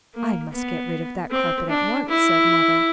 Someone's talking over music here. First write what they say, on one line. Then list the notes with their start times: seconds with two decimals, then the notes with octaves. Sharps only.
'I must get rid of that carpet at once,' said mother.
0.14 A#3
0.53 B3
1.31 C4
1.70 D4
2.09 E4